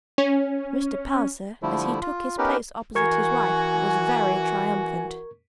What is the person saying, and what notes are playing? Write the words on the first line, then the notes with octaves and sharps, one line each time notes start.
Mr. Palliser, as he took his place opposite his wife, was very triumphant.
C#4
D3 F3 G3 A3 E4
F4
B3 C#4 D#4 G4 A#4 B4
E3 F#4 A#4 G#5 C#6 G#6